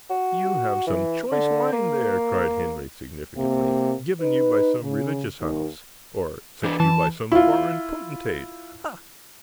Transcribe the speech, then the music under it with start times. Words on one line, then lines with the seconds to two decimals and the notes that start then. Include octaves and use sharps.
"You have some choice wine there," cried Henry significantly; "given you by some religious house, or sent you by some foreign potentate, ha!"
0.10 F#4
0.87 E3
1.31 D3
1.72 A#3
3.35 C3 A#3
4.19 D#4 B4
4.82 C#3
5.38 D#2
6.64 E3 D4 B4
6.80 E3 A5
7.32 E4 F4